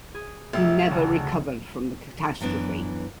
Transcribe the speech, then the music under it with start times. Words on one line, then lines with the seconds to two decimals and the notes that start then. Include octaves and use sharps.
He never recovered from the catastrophe.
0.14 G#4
0.53 F1 E5
0.90 D2 C#3 G#3 F#4 A4 E7
2.41 F#2 E3 B3 D4